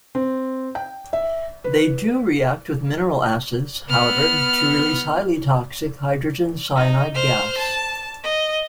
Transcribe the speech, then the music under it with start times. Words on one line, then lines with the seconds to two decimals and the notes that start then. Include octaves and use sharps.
They do react with mineral acids, however, to release highly toxic hydrogen cyanide gas.
0.15 C4
0.75 G5
1.13 E5
1.64 B4
3.89 B3 F6
6.76 D#4
7.15 C5 F6
7.58 A5
8.24 D#5